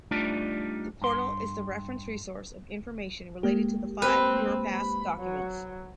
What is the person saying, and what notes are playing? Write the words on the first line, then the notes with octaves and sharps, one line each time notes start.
The portal is the reference resource of information related to the five Europass documents.
G3 A3 D4 D#4 F4 D5
G2 C6
G#3 A#3 G4
C4 B4
B5
F#3